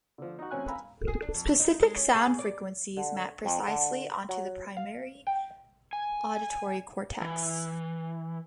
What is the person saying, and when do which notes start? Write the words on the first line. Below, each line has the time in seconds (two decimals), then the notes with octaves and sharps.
Specific sound frequencies map precisely onto the primary auditory cortex.
0.18 D3 F3
0.39 D#4 F#4
0.51 A1 C4 C#4 G#5 F#6
0.67 F5 G#5 A#5 B5 E6
1.08 G#4
1.22 D4
1.34 F2
1.60 D#4
1.80 G#3
1.96 C#4
2.15 G#4
2.39 D5
2.97 D3
3.45 F2
3.68 D3
4.29 F#3
4.77 F5
5.27 G5
5.93 G#5
7.21 E3